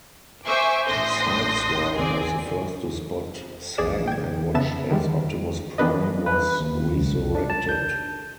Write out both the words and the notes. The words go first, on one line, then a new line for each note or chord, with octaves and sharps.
Sideswipe was the first to spot Sam and watched as Optimus Prime was resurrected.
C5 E5 G#5 C#6 D6
A1 D4 C6 D#6 G6 A#6
C4 G#4 D5
A#1 G#4 D5 E7
G5 G#6
F2 C#3 B3 E5 A5 E7
D3 D#3 G3 G#3
E3 B3 D4 B4 D#5
B4
D#2
C#2
C2
D4
A5
G6